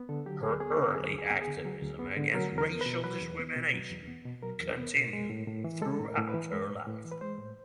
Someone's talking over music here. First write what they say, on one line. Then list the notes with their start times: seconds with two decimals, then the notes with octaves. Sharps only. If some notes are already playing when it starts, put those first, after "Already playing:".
Her early activism against racial discrimination continued throughout her life.
Already playing: B3
0.09 D3 A4
0.26 F#3 G4
0.43 D2 G#4
0.60 B3 G#4
0.78 D3
0.95 F#3 G#4
1.12 D2
1.18 G#4
1.30 B3
1.42 G#4
1.47 D3
1.65 F#3
1.83 D2
1.99 B3
2.17 D3
2.34 F#3 A#4
2.52 E2
2.58 A#4
2.69 B3
2.81 B4
2.86 B2
3.04 F#3 B4
3.21 E2
3.39 B3
3.56 B2
3.74 F#3
3.90 E2
4.08 B3
4.25 B2
4.43 F#3 A#4
4.60 E2
4.77 B3
4.95 B2
5.13 G#3
5.30 A2
5.47 A2
5.64 E3
5.82 G#3 A4
6.00 A2
6.05 A#4
6.17 A2
6.29 B4
6.34 E3
6.52 G#3
6.69 A2
6.87 A2
7.04 E3
7.11 B4
7.21 G#3 C5
7.38 A2